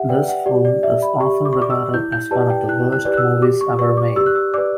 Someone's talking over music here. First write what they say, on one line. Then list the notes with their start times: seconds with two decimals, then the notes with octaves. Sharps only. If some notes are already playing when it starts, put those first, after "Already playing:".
This film is often regarded as one of the worst movies ever made.
Already playing: G4 E5 F#5
0.09 B4 D5 G5
0.28 F#5
0.46 G4 D5
0.65 D5
0.83 D5 E5
1.02 B5
1.20 G4 C#6
1.45 D6
1.53 C#6
1.57 D5 D6
1.70 E6
1.94 E4 G6
2.12 G6
2.31 G4 B4 D5 A5
2.50 G5
2.68 E4 F#6
2.92 F#6
3.05 G4 B4 D5
3.14 F#6
3.17 E6
3.42 G4 D6
3.61 C#6
3.79 B4 D5 C#6
3.97 D6
4.16 G4 E6
4.26 F#6
4.35 E6
4.54 B4 D5 D6